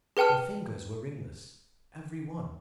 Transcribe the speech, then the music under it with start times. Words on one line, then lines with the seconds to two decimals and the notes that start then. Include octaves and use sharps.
Her fingers were ringless, every one.
0.17 G#4 B4 G5 A5 F6